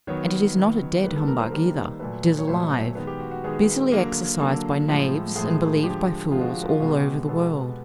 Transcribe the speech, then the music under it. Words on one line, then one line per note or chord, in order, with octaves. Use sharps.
And it is not a dead humbug either; it is alive, busily exercised by knaves and believed by fools all over the world.
D#3 F#3 B3 C#5
D#3 F#3 B3
D#3 G3 A#3 B4
A4
A#4
C5
D#3 G3 A#3 A#4
A#2 F#3 A3 B4
C#5
A#2 F#3 A3 C5
D#3 G#3 B3
G4
F#4
F#4
D#3 G#3 B3 G#4
D3 F#3 A#3
D3 F#3 A#3 A4
A2 F3 G#3
A2 F3 G#3 G#4
D3 F3 G#3 G4
D3 F3 G#3 F4
F#4
F4
F#4
F4
B2 G#3 B3 F#4
G4
F#4
B2 G#3 B3 A4